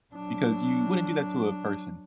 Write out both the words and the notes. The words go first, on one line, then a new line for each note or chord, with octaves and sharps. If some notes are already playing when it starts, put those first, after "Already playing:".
because you wouldn't do that to a person.
F#3 D4